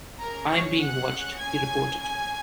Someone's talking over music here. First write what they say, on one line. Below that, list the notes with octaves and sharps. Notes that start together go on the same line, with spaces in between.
"I'm being watched," he reported.
C#4 G#4 A#4 A#5
C#5 C#6
F#5 F#6
G#5 G#6
G#5 G#6